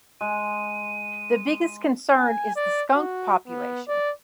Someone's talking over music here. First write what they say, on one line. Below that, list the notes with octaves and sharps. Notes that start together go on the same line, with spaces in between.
The biggest concern is the skunk population.
G#3 D#7
G#5
D5
F#4
B3
D5